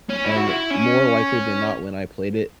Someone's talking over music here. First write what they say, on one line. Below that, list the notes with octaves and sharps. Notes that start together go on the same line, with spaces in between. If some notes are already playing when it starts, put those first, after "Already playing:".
and more likely than not when I played it,
C#4
E4
F#4
E4
C#4